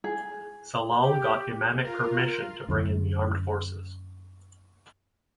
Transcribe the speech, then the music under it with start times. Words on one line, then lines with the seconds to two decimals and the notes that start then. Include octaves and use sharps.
Sallal got imamic permission to bring in the armed forces.
0.04 G#4
0.99 G4
1.85 F4 A#4
2.69 F#2 D3